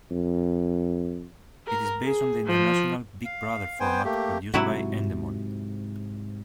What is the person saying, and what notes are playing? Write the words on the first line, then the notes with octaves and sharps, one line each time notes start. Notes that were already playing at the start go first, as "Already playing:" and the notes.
It is based on the international "Big Brother" format produced by Endemol.
F2
A#4
G#4
F3
F5
B3 C5 G5 G#5
A3 A#3 G4
G#2 C3 F#3 E4 F#4